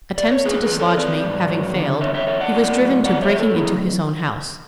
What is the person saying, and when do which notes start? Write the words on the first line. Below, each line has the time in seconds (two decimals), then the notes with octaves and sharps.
Attempts to dislodge me having failed, he was driven to breaking into his own house.
0.18 D5
0.31 C#5
0.45 G#2 G#4 B4
0.62 G#4 B4
0.71 E3
0.80 A4 C#5
0.97 E3 B4 D5
1.24 G#2
1.49 F#3
1.75 D3
2.00 E2 C#5 E5
2.14 C#5 E5
2.26 E2 C#5 E5
2.40 D5 F#5
2.53 A2
2.79 F#3
3.04 F#3 D5 F#5
3.22 C#5 E5
3.31 A2
3.39 A4 C#5
3.56 F#3 E4 G#4